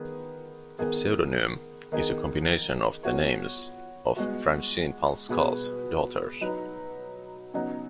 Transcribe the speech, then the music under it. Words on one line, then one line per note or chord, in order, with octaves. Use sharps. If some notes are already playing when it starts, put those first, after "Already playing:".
The pseudonym is a combination of the names of Francine Pascal's daughters.
Already playing: D#3 B3 G#4 B4
D#3 B3 G#4
D#3 B3 D#4 G#4
B3 F#4 C#5
G#3 B3 F#4
B2 B3 G#4 B4
F#3 D#4 B4
C#3 F#3 B3 D#4